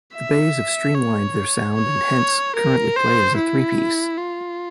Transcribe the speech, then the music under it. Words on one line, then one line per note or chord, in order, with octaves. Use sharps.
The Bays have streamlined their sound and hence, currently play as a three piece.
E5
C#5
C#5
A#4
C5
E4
F4